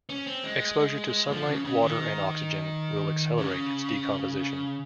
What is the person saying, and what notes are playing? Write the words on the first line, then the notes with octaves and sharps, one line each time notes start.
Exposure to sunlight, water and oxygen will accelerate its decomposition.
C#4
C4
G#3
F3
C#3
C#3
D#3
C#3